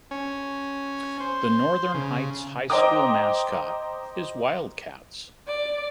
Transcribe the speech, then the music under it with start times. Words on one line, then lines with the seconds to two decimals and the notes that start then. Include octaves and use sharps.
The Northern Heights High School mascot is Wildcats.
0.11 C#4
1.20 C5
1.94 C#3
2.70 C5 D#5 G5 A#5 D6 D#6
5.45 D5